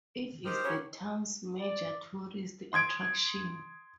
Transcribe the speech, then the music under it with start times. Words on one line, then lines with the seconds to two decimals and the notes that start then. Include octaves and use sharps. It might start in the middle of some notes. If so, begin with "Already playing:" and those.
It is the town's major tourist attraction.
0.45 D#3 C4 G4 C5 D#6 F6
0.64 C#3 F#3 G4 C#5
1.60 D5
2.73 C6 D#6 G#6 D7